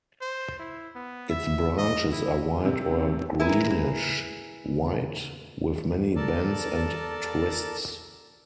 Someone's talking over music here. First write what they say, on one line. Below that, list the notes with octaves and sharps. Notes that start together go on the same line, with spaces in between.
Its branches are white or greenish-white, with many bends and twists.
C5
E4
B3
E5
D#5
E4
C3
E4 G#4 A#4 B4
A4 A#4 D5 A5